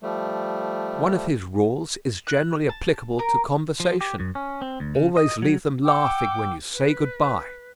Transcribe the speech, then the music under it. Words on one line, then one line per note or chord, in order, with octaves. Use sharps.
One of his rules is generally applicable to conversation: "Always leave them laughing when you say good bye."
F3 G3 A3
F#6
A5
A#4
F3
G4
F#2
C#4
C4
D2
C#3
D#5
F#3
F#5 G5 D6 E6
B4